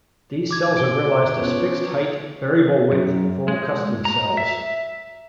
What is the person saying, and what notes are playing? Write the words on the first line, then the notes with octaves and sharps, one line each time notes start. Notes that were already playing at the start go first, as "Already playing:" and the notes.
These cells are realized as fixed-height, variable-width full-custom cells.
D6 G#6
D7 G7
A#5 C#6
F3 B3 C#4
F#2
G#3
A#5
E5